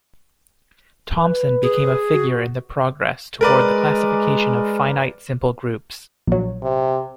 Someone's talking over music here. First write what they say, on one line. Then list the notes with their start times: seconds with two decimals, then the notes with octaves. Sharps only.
Thompson became a figure in the progress toward the classification of finite simple groups.
1.17 B4
1.62 G#4
2.14 F#4
3.41 G#3 A#4 B4 D5
6.27 A#1 F#3
6.63 C3